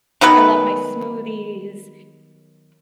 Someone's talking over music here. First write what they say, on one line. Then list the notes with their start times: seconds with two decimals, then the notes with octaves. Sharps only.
I love my smoothies.
0.21 D#3 F#3 B3 B4